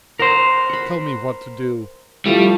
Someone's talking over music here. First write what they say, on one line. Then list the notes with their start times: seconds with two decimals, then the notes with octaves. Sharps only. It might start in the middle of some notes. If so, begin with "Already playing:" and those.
Tell me what to do!...
0.19 A#4 C5 D#5 F#5
0.69 F#5 B5
2.26 F3 G3 A3 E4